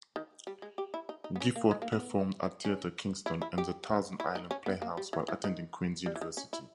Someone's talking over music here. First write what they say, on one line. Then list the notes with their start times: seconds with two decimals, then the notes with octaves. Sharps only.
Gifford performed at Theatre Kingston and the Thousand Island Playhouse, while attending Queen's University.
0.16 D#3
0.47 G3
0.62 G#3
0.78 G4
0.94 E4
1.09 D#4
1.24 D#4
1.36 B3
1.40 C#4
1.56 A#3
1.71 G#3
1.82 A#3
1.92 B3
2.65 C#4
3.26 E4
3.42 E4
3.58 G4
4.20 E4
4.35 D#4
4.51 C#4
4.66 B3
4.82 A#3
4.97 G3
5.13 E3
5.28 E3
5.44 D#3
6.06 G3
6.16 E3
6.21 D#3
6.37 C#4
6.53 E4